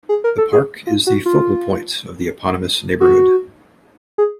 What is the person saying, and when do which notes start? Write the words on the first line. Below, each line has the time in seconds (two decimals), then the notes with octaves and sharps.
The park is the focal point of the eponymous neighborhood.
0.09 G#4
0.24 A#4
0.38 A4
0.53 G#4
0.87 F4
1.07 F#4
1.26 F4
3.01 F#4
4.18 G#4